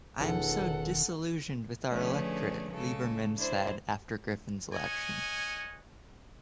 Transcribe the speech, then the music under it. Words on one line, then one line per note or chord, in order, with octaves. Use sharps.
"I am so disillusioned with our electorate," Lieberman said after Griffin's election.
E1 C#2 D#3 A4 F#5
D3 F3 A3 C#4 G#4 B4
C#3 G#3 A4
D4 E4 C5
C#5 D#5 F#5 G#5